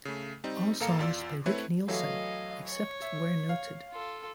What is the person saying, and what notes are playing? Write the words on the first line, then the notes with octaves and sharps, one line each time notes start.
All songs by Rick Nielsen, except where noted.
C#3 A3
G3 C4 D#4
G#1 A#3 A4 F5 A#5 C#7
E2 F4 D5 E6
A3 C4 E4 B4 C#5
E3 F#3 A3 D#5 F5
C#5
E5
F5
F4 A4